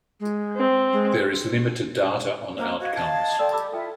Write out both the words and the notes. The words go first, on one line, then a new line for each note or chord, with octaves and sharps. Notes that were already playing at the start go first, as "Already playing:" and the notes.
There is limited data on outcomes.
G#3
C4
G#3
A#3 C5
F#4 D#5 F5 G#6
A5
A4 D5 F5 G5 C6 E6
G4 A4 B5 D6 E6
E4 F4 A4 E5 G5